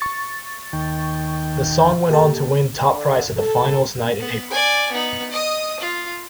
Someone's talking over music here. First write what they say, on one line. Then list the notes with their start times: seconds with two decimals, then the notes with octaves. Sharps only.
The song went on to win top prize at the finals night in April.
0.01 C#6 A6
0.73 D#2 D#3 G5
2.10 A#3 G4 A4
2.92 D3
3.35 A4
4.20 B3
4.51 D5 G#5
4.92 B3 D#4
5.31 D#5 D#6
5.80 F4